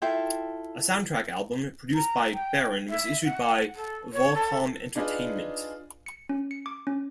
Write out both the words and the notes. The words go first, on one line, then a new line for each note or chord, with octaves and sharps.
A soundtrack album, produced by Baron, was issued by Volcom Entertainment.
E4 F4 A4 G5
A#5
G5
E5
F#5
A4
C#5
A4
D4 D#4 F4 G#4 B4 D5
C#7
C#4
C#7
D6
C#4